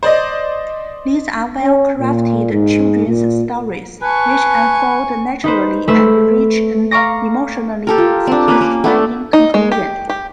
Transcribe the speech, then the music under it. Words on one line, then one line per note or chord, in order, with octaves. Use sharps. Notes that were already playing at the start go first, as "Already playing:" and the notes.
These are well-crafted children's stories, which unfold naturally and reach an emotionally satisfying conclusion.
C5 D5 D#5
C#4
A#2
G#2
A#2
B4 G#5 A5 C#6
D#4 B4 C5
A3 B4 C5 E6
F5 A#5 C#6 D6 A#6
G4 A4 A#4
F4
C4 D4
A#3 C#4 B4
A#3
A3 D4 A4
D#4
G#3
G4
G4